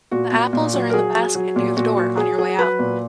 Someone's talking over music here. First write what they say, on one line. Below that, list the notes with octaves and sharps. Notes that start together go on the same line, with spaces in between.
The apples are in the basket near the door on your way out.
A#2 F#4
A#2
A#2
F#3
A#4
F#3 G#4
F#3
F#3
A#2
A#2 F#4
F#3 F#4
F#3 G#4
F#3 G#4
F#3 B4
A#2